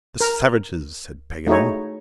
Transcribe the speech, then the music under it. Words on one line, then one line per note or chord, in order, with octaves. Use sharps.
"The savages," said Paganel.
A#4
A3 D#4 E4 F#4 G#4 C#5